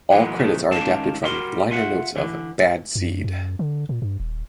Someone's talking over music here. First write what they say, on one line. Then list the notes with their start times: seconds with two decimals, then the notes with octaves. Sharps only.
All credits are adapted from liner notes of "Bad Seed".
0.11 A#2 D3 E3 F#3 G#3 B3
0.39 A#2 C#3 E3 F3 G#3 A3
0.72 D#3 G#3 C#4 D5 F5 A5
1.23 G3 F#4 A#4 C6
1.71 F4 E5 F#5
2.16 D3 E3
2.96 F#2
3.24 F#2
3.59 D3
3.89 A#2
4.02 G2
4.20 D#1